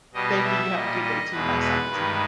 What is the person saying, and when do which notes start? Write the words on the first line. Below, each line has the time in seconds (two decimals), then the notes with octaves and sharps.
Thank you, you have a good day too, nice talking to you.
0.14 B2 G3 D#5
0.44 E5
0.72 A#2 G3 D#5
1.02 D#5
1.31 E2 B2 G#3 B4
1.60 B4
1.90 G2 D#3 G#3